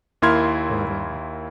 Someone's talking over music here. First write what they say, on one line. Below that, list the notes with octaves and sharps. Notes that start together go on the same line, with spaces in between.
But, um
D#2 A#3 E4 C6 F6 G#6